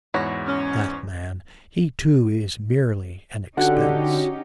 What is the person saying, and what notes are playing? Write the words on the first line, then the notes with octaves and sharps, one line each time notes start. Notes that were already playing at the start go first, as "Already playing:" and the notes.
'That man--he, too, is merely an expense.'
E2 G#2 E4 F#4 C#5 A#6
C#4
D3 C#4 D#4 F#4 G4 F#5